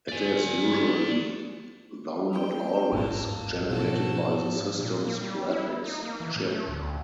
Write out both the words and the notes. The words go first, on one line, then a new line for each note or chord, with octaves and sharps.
It is usually, though not always, generated by the system's graphics chip.
D5 G#5
G5
D#1 G#1 G2 A#3 A4
G#2 B2 F3 A#3 F#4 A4
A#2
A#3
G3
E4
D#4
A#3
E3
A2
A3
D2